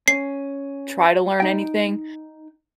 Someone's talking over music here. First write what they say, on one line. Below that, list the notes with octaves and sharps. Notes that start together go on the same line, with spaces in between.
try to learn anything
C#4 C7
D#4 G5